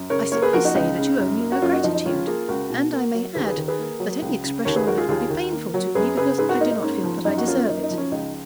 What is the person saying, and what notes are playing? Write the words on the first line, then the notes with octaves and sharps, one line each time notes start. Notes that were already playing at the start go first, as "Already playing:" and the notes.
'I simply say, that you owe me no gratitude; and I may add, that any expression of it will be painful to me, because I do not feel that I deserve it.
Already playing: F#2
C#3 A#4 C#5
A#3 A#4 C#5
G#4 B4
F3 F#4 A#4
D#4 F#4
C#2 D#4
C#3
F#2
A#3
F#4
F#2 C#4 F4
D#4 F#4
F3 D#4
D#4
C#2 C#4 F4
A#3 F4 G#4
C#2 F#4 A#4
B2
A#3
F#3
D#2 G#4 B4
G#4 B4
D#3
G#4 B4
A#3
F#3
C#2
C#3
D#2 A#4 C#5
G#4 B4
G#3 F#4 A#4
F4 G#4
D#2 F4 G#4
D#3
A#3
F#3
F#2 G#4 B4
C#3 G#4 B4
G#2 G#4 B4
F#4 A#4
A#3 D#4
D#4
G#2 C#4
F3
F#2 D#4
F#4
A#3 C#4 F4
F#2 D#4
D#4
F3
C#4
C#2 D#4